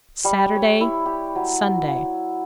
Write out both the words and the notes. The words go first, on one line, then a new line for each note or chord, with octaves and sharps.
Saturday, Sunday.
G3
C#5
E4
G4
F#3